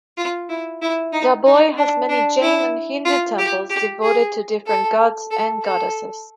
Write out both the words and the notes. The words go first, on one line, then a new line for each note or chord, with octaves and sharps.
Dabhoi has many Jain and Hindu temples, devoted to different gods and goddesses.
F4
E4
E4
D#4
D#4
D4
D4
E4
F4
G4
G4
G#4
A4
A4
A4